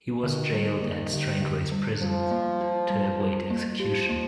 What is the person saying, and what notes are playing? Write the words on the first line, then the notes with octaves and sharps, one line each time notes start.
He was jailed at Strangeways Prison to await execution.
D3 D#3
G3
A#3
D3
D3
G3
F3 G3
A#3
F4
G3
G3
A#3
F3 G4
A#3